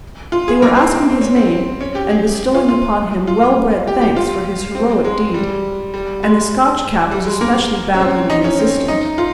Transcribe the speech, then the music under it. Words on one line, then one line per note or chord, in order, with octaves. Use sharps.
They were asking his name and bestowing upon him wellbred thanks for his heroic deed, and the Scotch cap was especially babbling and insistent.
F4
G#4
A#3
C4
C4
C#4
C4
C4
C#4
G4
G#4
F4
F4
F4
G4
G4
F4
C4
G#3
G3
G3
G#3
G3
G#3
A#3
C#4
C4
D#4
C#4
C4
D#4
F4